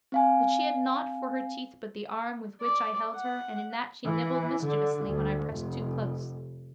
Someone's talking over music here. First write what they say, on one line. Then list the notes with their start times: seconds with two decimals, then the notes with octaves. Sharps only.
But she had nought for her teeth but the arm with which I held her and in that she nibbled mischievously when I pressed too close.
0.12 C4 F5 G#5
2.62 D5
3.16 F#5
4.04 E3
4.65 D3
5.06 D2
5.48 F1